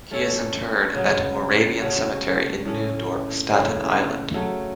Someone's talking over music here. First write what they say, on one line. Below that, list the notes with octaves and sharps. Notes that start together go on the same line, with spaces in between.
He is interred at Moravian Cemetery in New Dorp, Staten Island.
A3 C#4 A4 C#5
C#3 F#3 B3
C#3 A3 F#4 C#5
A2 A3 C#4
C#3 A3 E4
C#3 F#3 A3